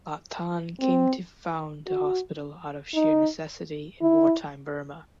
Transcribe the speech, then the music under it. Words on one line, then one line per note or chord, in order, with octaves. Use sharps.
Ba Than came to found the hospital out of sheer necessity in wartime Burma.
C4
F#4
D#4
E4